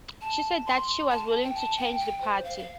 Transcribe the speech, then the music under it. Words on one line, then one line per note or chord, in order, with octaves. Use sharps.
She said that she was willing to change the party.
A5
C6
A5
G5
A5
G5
G5
C5
F5
F5